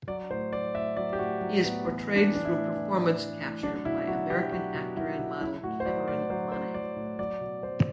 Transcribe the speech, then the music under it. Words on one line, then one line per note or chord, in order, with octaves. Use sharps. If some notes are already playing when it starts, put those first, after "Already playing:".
He is portrayed through performance capture by American actor and model Cameron Monaghan.
F#3 D5
A2 C5
F#3 D5
A2 E5
F#3 D5
G4
A2 F#4
F#3
A2 B3
E3 B3
A2
D4
E3
D4
E4
A2
E3
A2
E3
A2
F#3 D4
B2 E4
F#3 F#4
B2 G4
F#3 F#4
B2
F#3 E4
B2
F#3 E4
A2 F#4
C5
F#3 D5
A2 D5
F#3 C5
A2 C5
F#3 D5
A2
F#3 D5
B2
F#3 C5